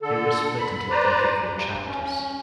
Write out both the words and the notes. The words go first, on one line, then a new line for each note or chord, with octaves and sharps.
They were split into thirty-four chapters.
D3 A4
B5
B4 C5 D5 A#5
G2
C#4